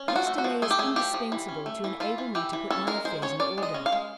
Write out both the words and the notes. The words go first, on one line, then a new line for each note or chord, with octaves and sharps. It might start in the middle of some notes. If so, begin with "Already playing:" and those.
This delay is indispensable to enable me to put my affairs in order.
Already playing: C#4
F3 F4
F#4
A3
F#4
F3
A3 G#4
G4
A3 G#4
F3 G4
F3
E3
C#4
A3
E3
E3 F4
E3
E3 G4
E3
C#4 A4
G#3 A#4
G#3 C5
C#4 C#5
C#4 D5
G#3 D#5
C#4
F5
G#3